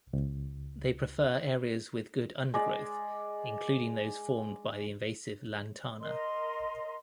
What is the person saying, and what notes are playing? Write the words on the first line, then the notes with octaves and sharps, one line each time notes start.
They prefer areas with good undergrowth including those formed by the invasive "Lantana".
C#2
G#3 D5
A#4 D#5 A#5 C6